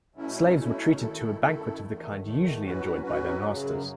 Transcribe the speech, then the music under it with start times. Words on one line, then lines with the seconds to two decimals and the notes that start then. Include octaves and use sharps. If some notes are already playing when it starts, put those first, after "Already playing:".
Slaves were treated to a banquet of the kind usually enjoyed by their masters.
0.14 B2 F#3 A3 C#4 E4
0.56 B2 F#3 A3 C#4 E4
0.97 F#2 D#3 A3 E4 A4
1.38 F#2 D#3 A3 E4 A4
1.80 E2 D#3 A3
2.21 E2 D#3 A3
2.61 A2 F#3 C#4 F#4 B4
3.03 A2 F#3 C#4 F#4 B4
3.45 F#2 C#3 F#3